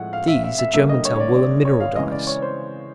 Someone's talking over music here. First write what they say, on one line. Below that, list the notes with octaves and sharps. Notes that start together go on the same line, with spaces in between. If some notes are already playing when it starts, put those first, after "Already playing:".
These are Germantown wool and mineral dyes.'
Already playing: A2 F3 G#3 F#5
F5
E5
E5
E5
D3 G3 A#3 E5
D#5
C#5
C#5
D5
D5
C#5
F5
C#3 E3 G#3 D#5
D5
C#5
C5